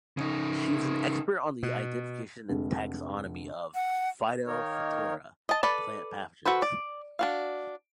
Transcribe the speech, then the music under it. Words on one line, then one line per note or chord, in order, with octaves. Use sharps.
She was an expert on the identification and taxonomy of "Phytophthora" plant pathogens.
C#3 D#4
B2
F1 D3 G#3
F#5
D#3 A#3 D#4 A#4 C#5
D#5 A5
A4 B4 D5
F#4 A4 B4 C5
D5
D4 F#4 F5